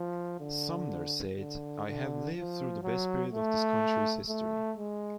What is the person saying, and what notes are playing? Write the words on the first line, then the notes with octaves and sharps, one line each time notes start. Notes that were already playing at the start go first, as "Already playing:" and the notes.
Sumner said, I have lived through the best period of this country's history.
Already playing: F3
D3
D3
D3
F3
F#3
A3
A3
G#3